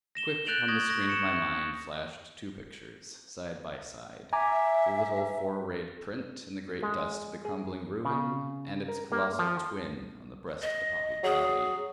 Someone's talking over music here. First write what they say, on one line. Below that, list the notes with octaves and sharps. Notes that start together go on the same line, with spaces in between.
Quick on the screen of my mind flashed two pictures, side by side--the little four-rayed print in the great dust of the crumbling ruin and its colossal twin on the breast of the poppied valley.
A#6 E7 G7
F#6 G6 A6 D7 F7 F#7
C#6 D#6 G#6 A#6
A#6
C#6 C#7 E7
E5 G#5 A#5 D6
G#3
G#4
C#3
A#4
A#3
F3
D#5
F#3 G#4